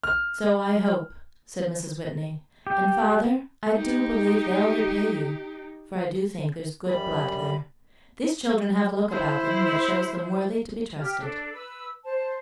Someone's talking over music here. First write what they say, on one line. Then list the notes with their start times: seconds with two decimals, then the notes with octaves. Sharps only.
"So I hope," said Mrs. Whitney; "and father, I do believe they'll repay you; for I do think there's good blood there; these children have a look about them that shows them worthy to be trusted."
0.04 F6
2.67 G4
3.75 D#4 G4
6.88 F#2 G3 B5
9.09 E4 C5
10.99 G4 F6
11.19 D4 A4
11.52 B4 E6
12.03 C5 A5